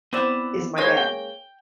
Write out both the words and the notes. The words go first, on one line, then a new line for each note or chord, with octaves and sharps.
is my dad.
B3 C4 E4 D5
G#3 A#3 C#4 B4 C5
G5